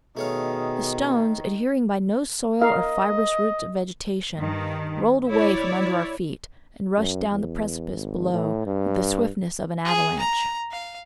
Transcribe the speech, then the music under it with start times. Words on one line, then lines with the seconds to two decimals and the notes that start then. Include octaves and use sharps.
The stones, adhering by no soil or fibrous roots of vegetation, rolled away from under our feet, and rushed down the precipice below with the swiftness of an avalanche.
0.17 B2 D#3 A3 G#4 C#5 F5
2.62 A#4 D#5 F5
4.36 G2 D#3
5.29 E4 C#5 D5
6.97 F#2
7.31 E2
7.92 G#1
8.33 A2
8.66 G2
9.85 G#4
10.19 A#5
10.72 F5